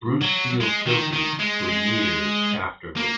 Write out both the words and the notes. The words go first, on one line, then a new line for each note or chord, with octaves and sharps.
Bruce feels guilty for years afterward.
F#3
G#3
D#3
D#3
G#3
A#3